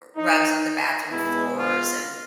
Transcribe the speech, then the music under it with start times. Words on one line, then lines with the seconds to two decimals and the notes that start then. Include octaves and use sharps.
rugs on the bathroom floors and,
0.16 D#4
1.10 B2 G#3 B3 E4
1.57 F4